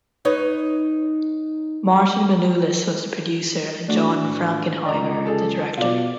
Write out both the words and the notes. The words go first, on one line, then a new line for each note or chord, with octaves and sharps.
Martin Manulis was the producer and John Frankenheimer the director.
D#4 B4 C#5
A3 D4 F#4
A2
C#2 D5 D#5 A#5
G#4 A4 A5
B2 F4 D5